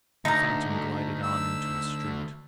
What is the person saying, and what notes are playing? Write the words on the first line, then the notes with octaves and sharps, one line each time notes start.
The Phantom glided on into a street.
D2 D#4 A#5
E6